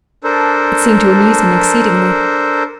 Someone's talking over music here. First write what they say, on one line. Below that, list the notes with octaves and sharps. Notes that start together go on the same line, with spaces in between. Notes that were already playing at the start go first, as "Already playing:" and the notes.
It seemed to amuse him exceedingly.
D4 A4 A#4 C5